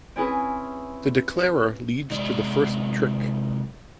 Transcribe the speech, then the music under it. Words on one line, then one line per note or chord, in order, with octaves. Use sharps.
The declarer leads to the first trick.
C4 C#4 E4 G#4 B4
C3 F#3 G#3 D5